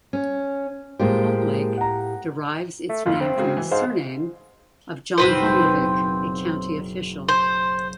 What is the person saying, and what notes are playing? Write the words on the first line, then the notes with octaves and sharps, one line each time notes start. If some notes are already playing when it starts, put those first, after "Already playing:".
Home Lake derives its name from the surname of John Homelvig, a county official.
C#4
A2 G#3 A#3 F4 G4 C5
F#5 A#5
A3
F#1 F2 F4
C4
G#2 C#3 F#4
E3
G#2 C5 F5
F#1 B2 C4 D#4 B4 C5
C5